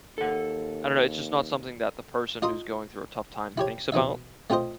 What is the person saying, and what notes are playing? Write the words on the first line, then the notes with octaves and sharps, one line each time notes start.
I don't know, it's just not something that the person who's going through a tough time thinks about,
D#2 A4 F#5
F4 D#5 A#5 C6 D#6
E4 G4 C#5
B2 E3 D#4 E5
A3 C4 F4 C5 D#5